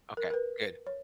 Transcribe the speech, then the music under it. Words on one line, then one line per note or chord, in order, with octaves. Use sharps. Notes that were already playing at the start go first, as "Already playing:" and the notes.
Okay, good.
A#4
A#4
B4
C#5